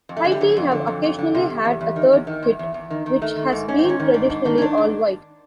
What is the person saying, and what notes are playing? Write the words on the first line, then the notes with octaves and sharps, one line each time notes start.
Haiti have occasionally had a third kit, which has been traditionally all-white.
F2
A3
D3 G#3
G3
D3 F#3
F2
D3
F2
F2
D3
C3 G3
E2
E2
E2
D#3
E2
D#3
E2
E2
E2
D#3
D#3
D#3 A3
D#3
G#2
G#2 C#4
D#3 C4
C#4
D#3
G#2 D4
G#2 D4
D#3 D4
C#4
D#3 D4
G#2